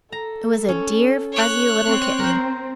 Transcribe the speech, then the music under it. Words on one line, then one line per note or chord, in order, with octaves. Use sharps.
It was a dear fuzzy little kitten.
A4 A#5
C#4
C#5 F#6
C4
A#4 C5